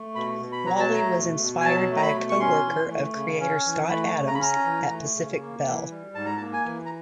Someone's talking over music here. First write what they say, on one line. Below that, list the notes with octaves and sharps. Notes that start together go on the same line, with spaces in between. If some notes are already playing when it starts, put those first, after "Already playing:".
Wally was inspired by a coworker of creator Scott Adams at Pacific Bell.
Already playing: A3
B2 B5
B2
B5
F#3 A#5
A5
A3 A#5
B2
B2
G#5
F#3 A5
A3
A#5
B5
B2
C#6
C#4 C6
E3
A3
C#3
C#4
E3
A3 B5
C#3
A#5
B5
C#4 A#5
E3
A3
C#3
A#3
E3
G3
G#2 A5
A#5
A5
A#3
G#5
E3
A#5